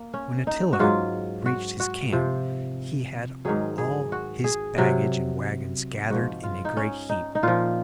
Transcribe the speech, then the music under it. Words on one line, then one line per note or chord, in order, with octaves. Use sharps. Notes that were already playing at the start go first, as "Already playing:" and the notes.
When Attila reached his camp he had all his baggage and wagons gathered in a great heap.
Already playing: A#3
C#4
D#4
F#4
G#2 F#3 F4
F#4
F#4
C3 F3
G#2 D#3 F#3 G#4
G#4
F#4
G#4
C3 F#3
G#2 F3 F#4
F4
D#4
C#4
D#4
D#4
A#2 F3 F4